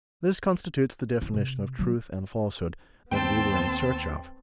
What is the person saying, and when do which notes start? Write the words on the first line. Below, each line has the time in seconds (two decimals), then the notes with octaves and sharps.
This constitutes the definition of truth and falsehood that we were in search of.
1.21 D#4 E4
1.34 C3
1.79 D3 F#3
3.11 D#2 B3 C4 G5 A5 C6 E6